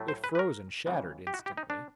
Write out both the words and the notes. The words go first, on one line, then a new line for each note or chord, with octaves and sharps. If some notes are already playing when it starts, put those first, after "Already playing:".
It froze and shattered instantly.
Already playing: A2 F#3 A3
C5
B4
B4
A#4
F2 C#3 E3 G#3
G4
F#4
G4
D#4
D4